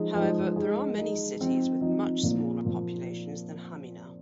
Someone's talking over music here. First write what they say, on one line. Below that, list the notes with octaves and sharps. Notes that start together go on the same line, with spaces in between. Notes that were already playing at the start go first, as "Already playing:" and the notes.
However, there are many cities with much smaller populations than Hamina.
Already playing: F3 G#3 D#4 G#4
F3 G#3 D#4 G#4
G#3 D#4 G#4
G#3 D#4 G#4
F3 C4 D#4
F3 C4 D#4
A#2 F3 A#3
A#2 F3 A#3